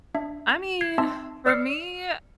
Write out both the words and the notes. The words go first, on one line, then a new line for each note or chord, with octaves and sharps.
I mean, for me,
D4 E5
G#6 C7
C4 D#4 E5 A5 C6 E6
D5 E6 F6 C7 C#7